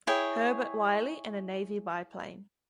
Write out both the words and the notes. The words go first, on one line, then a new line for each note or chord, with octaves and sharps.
Herbert Wiley, and a Navy biplane.
E4 G#4 C#5 G5